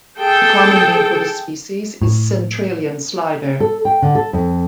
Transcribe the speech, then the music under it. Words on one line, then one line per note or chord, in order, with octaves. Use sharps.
The common name for the species is centralian slider.
G#4 A4 G5
A2
A4
G5
D3
A4
F2